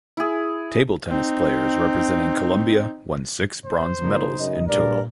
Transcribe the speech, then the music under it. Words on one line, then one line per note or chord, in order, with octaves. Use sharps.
Table tennis players representing Colombia won six bronze medals in total.
E4 G#4
C4 D#4
C5
A#2 C#3 D#4
F#2 D#5
G2 A#2 A#4 D5